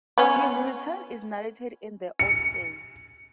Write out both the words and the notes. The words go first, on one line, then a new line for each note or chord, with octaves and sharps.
His return is narrated in the "Odyssey".
B3 C#4
C#7